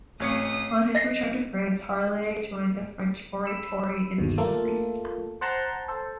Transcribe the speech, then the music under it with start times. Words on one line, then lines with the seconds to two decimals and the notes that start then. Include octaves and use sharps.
On his return to France, Harlay joined the French Oratory and became a priest.
0.20 A1 A3 C4 C#5 C#6 D#6 C7 C#7
0.95 D#5 A#6 C7
3.45 B5 E6
4.18 G1 D#2 B2
4.38 A3 A#3 F4 A4
5.41 C5 F#5 A5 A#5 C6
5.88 A4 C5